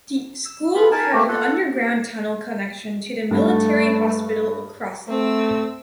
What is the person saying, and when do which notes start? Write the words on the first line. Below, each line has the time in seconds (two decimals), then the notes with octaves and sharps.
The school had an underground tunnel connection to the military hospital across it.
0.46 E6
0.75 B3 F4 B5
0.91 D#4 A#4 G#5 A5
1.13 A3 A#3 G4
1.28 F4 A4 F#5
3.31 G2 A3
5.08 A3 C4 E6